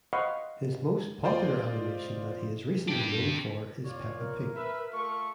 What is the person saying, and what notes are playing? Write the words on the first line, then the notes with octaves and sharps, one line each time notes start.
His most popular animation that he is recently known for is Peppa Pig.
C5 D#5 F5 F#5 B5 C#6
F4 C5 D5 D#5
D4 G5
F4 C#5 D5
A#4
B4 E5
A3 F4 C#6